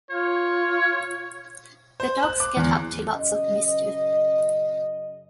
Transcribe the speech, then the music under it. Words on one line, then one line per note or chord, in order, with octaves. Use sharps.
The dogs get up to lots of mischief.
F4 C#5
C5
F#6
D6
E2
F#2 C#3 D#5